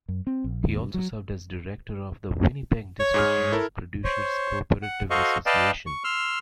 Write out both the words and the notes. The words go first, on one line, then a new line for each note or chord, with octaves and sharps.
He also served as director of the Winnipeg District Milk Producers Cooperative Association.
F#2
C4
A#1
D#2
G2
F#3
C#5
G#2 G#4 F6
E4 A4 A#4
C5 C#5
F#5
F#4 A4 C5 D#5 F5 C#6
B4 D5 D#5 F5 G5 A5
C#6
C6 E6 F6